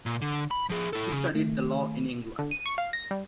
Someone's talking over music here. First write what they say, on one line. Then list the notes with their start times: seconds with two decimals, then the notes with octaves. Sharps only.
He studied the Law in England.
0.06 A#2
0.22 D3
0.51 B5
0.70 F3 G#4
0.93 E4 A4
1.11 C#3
1.35 D#3 A3
2.39 D3
2.51 D#7
2.66 C#6
2.78 F5
2.93 A#6
3.11 G3